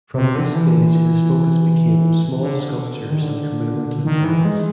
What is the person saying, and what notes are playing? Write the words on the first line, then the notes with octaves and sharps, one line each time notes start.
From this stage his focus became small sculptures and commemorative medals.
C3
D3
E3
D3
D#3
D3
D#3
E3
G#3